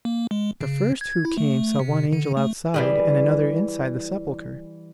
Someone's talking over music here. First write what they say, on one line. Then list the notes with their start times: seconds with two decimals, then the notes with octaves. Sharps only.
The first who came saw one angel outside and another inside the sepulchre.
0.05 A#3
0.31 G#3
0.61 C#3
1.01 G#6
1.25 E4
1.38 A3
1.79 C3
2.13 D3
2.37 A3
2.74 E3 G3 G#4